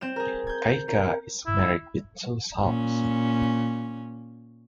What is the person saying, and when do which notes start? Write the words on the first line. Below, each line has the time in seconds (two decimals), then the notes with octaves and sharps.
Caica is married with two sons.
0.01 C4 G6 E7
0.16 G#4 A#4
0.47 G6 G#6
0.88 A#4
1.46 E4
2.61 A#2 C#4